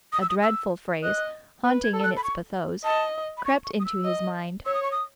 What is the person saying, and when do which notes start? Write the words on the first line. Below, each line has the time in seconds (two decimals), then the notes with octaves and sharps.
A dreadful phrase, haunting in its pathos, crept into his mind.
0.13 D#6
0.22 E6
0.29 D#6
0.43 E6
1.03 D#5 F#6
1.64 B4 F#6
1.84 G#6
1.94 A4
2.04 F#6
2.17 B5
2.24 C#6
2.84 D#5 A5
3.37 B5
3.45 C#6
3.64 C#6
3.79 D#6
3.85 E6
4.05 D#5
4.66 C#5 E6
4.74 D#6
4.83 C#6
4.92 D#6